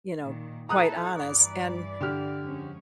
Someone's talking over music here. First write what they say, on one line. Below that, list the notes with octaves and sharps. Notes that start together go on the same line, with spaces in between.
you know, quite honest and
A#2 D#3
E4 A4 A#5 D#6 F#6
G2 E3 D5
D3 G4 F6
F2 G#3 C#4